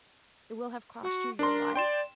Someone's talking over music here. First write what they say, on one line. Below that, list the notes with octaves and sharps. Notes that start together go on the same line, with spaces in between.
It will have cost you your life?
F#4
D4 A#4 C6
D5 G5 C6 E7